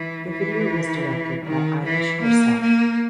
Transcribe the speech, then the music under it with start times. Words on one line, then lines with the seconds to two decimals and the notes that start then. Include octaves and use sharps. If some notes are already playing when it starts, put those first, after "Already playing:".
The video was directed by Eilish herself.
Already playing: E3
0.31 E3
1.46 D#3
1.84 E3
2.22 A#3
2.61 A#3